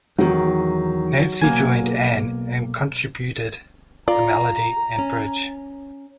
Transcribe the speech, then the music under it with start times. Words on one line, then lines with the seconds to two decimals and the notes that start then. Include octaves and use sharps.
Nancy joined Ann and contributed a melody and bridge.
0.18 E2 D#3 F#3
1.42 B1 A#3 G#5
4.08 F4 D5 A#5
4.99 C#4